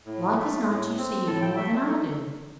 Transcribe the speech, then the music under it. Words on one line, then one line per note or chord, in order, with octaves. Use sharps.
"Like as not you see even more than I do!"
A2
A3
A2
C4
A2 A4
G5
A3 E5